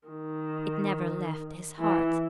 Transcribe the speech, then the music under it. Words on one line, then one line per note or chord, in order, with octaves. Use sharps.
It never left his heart.
D#3
E3